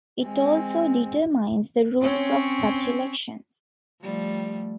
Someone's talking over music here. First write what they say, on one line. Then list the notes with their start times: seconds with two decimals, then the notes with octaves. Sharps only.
It also determines the rules of such elections.
0.25 G#3 C4
2.02 C4 C#4 C#5
4.01 F3 G3 A3